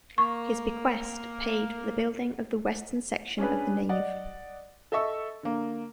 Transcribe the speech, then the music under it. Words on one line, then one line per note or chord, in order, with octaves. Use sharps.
His bequest paid for the building of the western section of the nave.
A#3 C#6
C#4 D4 G#4 B4
D5 D#5 F#5
A4 D#5 E5 C#6 E6
D3 A#3